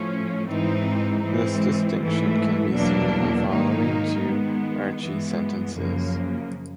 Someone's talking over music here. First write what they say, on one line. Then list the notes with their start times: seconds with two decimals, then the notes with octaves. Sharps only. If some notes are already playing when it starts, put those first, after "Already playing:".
This distinction can be seen in the following two Archi sentences.
Already playing: A2 F3 A3 C#4
0.48 G#2 E3 G#3 C4 D#4
1.23 G#2 E3 G#3 C4
1.98 G#2 E3 A3
2.73 E2 B2 F#3 A#3 D4
3.48 G#2 D#3 F#3 A#3 D#4
4.24 D#3 G#3 B3
4.99 G2 E3 G#3 B3
5.74 F#2 C#3 F3 A#3